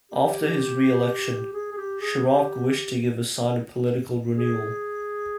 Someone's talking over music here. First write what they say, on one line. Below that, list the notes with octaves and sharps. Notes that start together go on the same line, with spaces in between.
After his re-election, Chirac wished to give a sign of political renewal.
G4
G#4
G#4
G4
G#4
G4
G#4